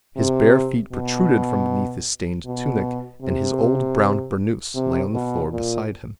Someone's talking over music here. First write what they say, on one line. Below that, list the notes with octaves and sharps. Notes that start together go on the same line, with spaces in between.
His bare feet protruded from beneath His stained tunic, and His old brown burnous lay on the floor beside Him....
C3
B2
B2
C3
C3
B2
A#2